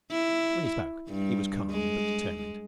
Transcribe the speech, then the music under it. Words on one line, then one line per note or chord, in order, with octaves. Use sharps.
When he spoke he was calm, but determined.
E4
G2
G#3